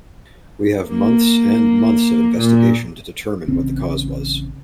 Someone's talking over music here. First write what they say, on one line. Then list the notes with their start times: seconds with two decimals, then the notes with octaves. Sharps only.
We have months and months of investigation to determine what the cause was.
0.89 A#3
2.37 A#2
3.48 A1 C#3 C4